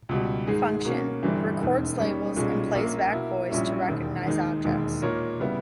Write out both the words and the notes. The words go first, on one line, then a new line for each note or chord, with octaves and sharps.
Function: Records labels and plays back voice to recognize objects.
C#2 B2 G3
G#2 D#3 G#3 D#4 G#4
B2 A#3 C#4
G1 G2 E3 G3
E1 D#2 D#3
D#2 D#3 G3 C#4
B1 A#2 G3 C#4 G#4
A#1 A#2 A#3 C#4
B2 A#3 E4
A#1 A#2 G3 C#4 E4
E1 D#2 D#3
D#2 D#3 G#3 D#4 G#4
E1 D#2 D#3 G#3
A#2 A#3 D#4 A#4 C#5
C#3 G3 B3 E4